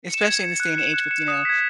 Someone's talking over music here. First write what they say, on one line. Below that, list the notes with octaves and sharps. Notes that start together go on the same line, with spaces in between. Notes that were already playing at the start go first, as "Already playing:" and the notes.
Especially in this day and age with, you know,
C#7
E7
G#6
C#7 E7
F#6
C#7 E7
F#6
C#7 E7
D#6
G#6 B6